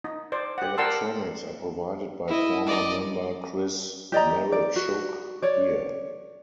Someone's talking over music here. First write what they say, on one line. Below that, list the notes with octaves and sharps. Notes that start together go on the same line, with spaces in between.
Electronics are provided by former member Chris Mereschuk here.
D#4
C5 D5
G4 F#5
A#4 D5 F#5 A5 C6 E6
E4 D#5
D5 D#5
G4 D5 D#5 A#5
D5
F#4
C#5 D5